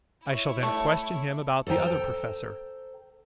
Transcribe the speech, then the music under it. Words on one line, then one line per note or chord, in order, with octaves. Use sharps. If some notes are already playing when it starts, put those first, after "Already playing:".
I shall then question him about the Other Professor.
E4 C#5
A3
A4 C5 C#5 G5 A#5